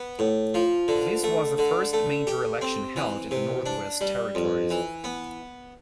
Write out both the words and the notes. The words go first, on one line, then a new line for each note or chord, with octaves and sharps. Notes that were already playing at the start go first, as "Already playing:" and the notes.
This was the first major election held in the Northwest Territories.
Already playing: B3
A2
F3
D3
A3
D3
A3
G4
C4
E3
C3
D4
G3
F2
E3
B3